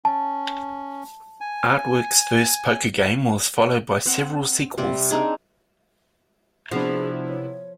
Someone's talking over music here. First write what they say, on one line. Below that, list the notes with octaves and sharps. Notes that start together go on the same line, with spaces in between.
Artworx's first poker game was followed by several sequels.
C#4 A5
G#5
C4 F#5
C3 G3 C4 D5
C4 D4 D#4 G#4
C3 F3 B3 D4 E4 F#4 G#4
C#5